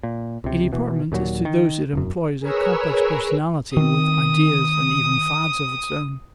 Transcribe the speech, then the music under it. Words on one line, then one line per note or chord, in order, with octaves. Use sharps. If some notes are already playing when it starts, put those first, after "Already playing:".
A department is to those it employs a complex personality with ideas and even fads of its own.
A#2
C#2 C3
B2 E3
D#2 A#2 E3 F#3
D#3
E1 F#2
G#4 A#4 B4 C#5 E6
D#3 C4 D#6